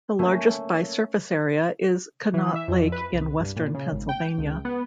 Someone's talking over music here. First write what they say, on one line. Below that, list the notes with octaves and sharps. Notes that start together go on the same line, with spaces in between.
The largest by surface area is Conneaut Lake, in western Pennsylvania.
A3 A#3 C#4
E3
E5
F2
B4
C2
G2
A#2
C#3
G#1
G5
C#2
B3